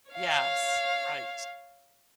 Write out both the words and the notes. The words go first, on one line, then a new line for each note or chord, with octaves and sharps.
Yes. Right.
C#5 F5